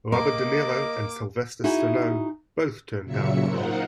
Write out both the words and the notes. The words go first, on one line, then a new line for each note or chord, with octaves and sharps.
Robert De Niro and Sylvester Stallone both turned down the role.
A#3 A#4 D#5 D6
D#4 E4 F#4 G#4
A#2 C#3 F#3 E5 C#7
D#4 F4 A#4 C5 F#5